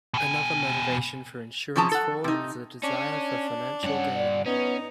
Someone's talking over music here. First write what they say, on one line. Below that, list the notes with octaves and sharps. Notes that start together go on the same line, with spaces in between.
Another motivation for insurance fraud is a desire for financial gain.
B2 G#5
C3 F3 C#4 G#4 A5 A#5
A4 F#5
C3 D#4
C#4 D4
G2 C#4 F#5
D5
B3 C#4 D#4